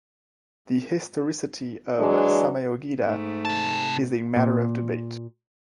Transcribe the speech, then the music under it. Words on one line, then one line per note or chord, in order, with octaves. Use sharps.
The historicity of Samyogita is a matter of debate.
E3 F#3 G#3 D4
G#2 A3
C3 A5
A#2